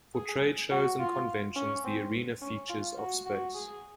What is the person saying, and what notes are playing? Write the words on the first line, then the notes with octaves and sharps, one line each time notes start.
For trade shows and conventions the arena features of space.
G#4
F#4
F4
C#4
C4
C#4
F4
F#4
F#4
G#4